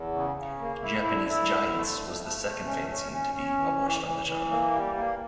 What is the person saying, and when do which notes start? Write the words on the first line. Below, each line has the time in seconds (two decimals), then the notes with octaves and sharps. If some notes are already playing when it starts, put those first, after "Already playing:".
Japanese Giants was the second fanzine to be published on the genre.
Already playing: E2
0.13 C#3
0.36 C#3
0.60 A#3
0.82 E4
1.05 D3
1.29 E4
1.51 D3
1.74 A3
1.98 F2
2.21 A3
2.44 A3
2.66 C#4
2.89 C#4
3.12 C#4
3.35 C#4
3.58 E3
3.81 E3
4.04 E3
4.26 E3
4.50 A#3
4.72 G3
4.96 A#3